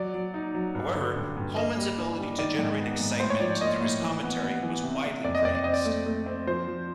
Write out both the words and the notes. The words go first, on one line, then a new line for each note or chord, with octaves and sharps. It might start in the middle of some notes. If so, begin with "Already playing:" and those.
However, Coleman's ability to generate excitement through his commentary was widely praised.
Already playing: F#3 D5
F#3
D#4
F#3
G2
D3
G2
G2
A#3 D#5
G3
D4
G3
D#3 D5
G#2
B3
G#2
A2 C5
C#5
F3 D5
D5
A#3 D#5
A2
E3
B3
B3
E3
C3
C3
F2 D5
D#5
F2 D5
D5
C4 D#5
D5
A3
A3
C4
F3 C5
F3